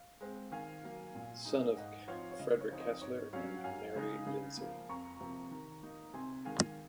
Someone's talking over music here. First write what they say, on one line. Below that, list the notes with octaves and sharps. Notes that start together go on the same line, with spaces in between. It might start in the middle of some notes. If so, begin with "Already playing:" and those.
Son of Frederick Kesler and Mary Lindsay.
Already playing: F5
G#3 C4
D#3 F5 G#5
F#3 A#3
A#2
G#3 D#4
G#2 D#5 F#5
F3 C4 F4 C#5 F5
C#5
C#3 D#5
C#5
F3 C4 D#4
D#5
G#2 C#5
F#3 C#4 C#5 F5
F#5
F#2 F5 G#5
C#3 G#3 D#4
C#3
F3 A#3
F2 A#5 C#6
C3 F3 A#3
D#3
A#3 D#4
C3 G#5 C6
D#3 G#3 F5 G#5